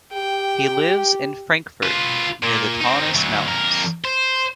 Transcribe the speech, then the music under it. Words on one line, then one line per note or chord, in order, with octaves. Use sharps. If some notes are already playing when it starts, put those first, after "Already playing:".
He lives in Frankfurt near the Taunus Mountains.
G4 G5
F4 B4
A#2
C4 D#4
D2 F#3
F2 A#4
C5